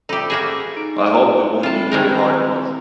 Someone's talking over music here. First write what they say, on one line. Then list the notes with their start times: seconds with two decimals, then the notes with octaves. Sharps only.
I hope they won't be very hard ones.
0.09 D#4 G4 A4 B5
0.30 A#3 F#4 G#4
0.77 D#4 D7
1.63 C4 E4 F4 A5
1.92 D#3 G#3 A#4